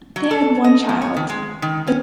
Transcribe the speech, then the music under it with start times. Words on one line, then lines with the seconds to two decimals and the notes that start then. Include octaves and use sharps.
They had one child.
0.16 F#3
0.31 A4
0.64 D#5
0.89 F3
1.02 C#5
1.17 D#3
1.30 G#3
1.62 D#3
1.87 C#4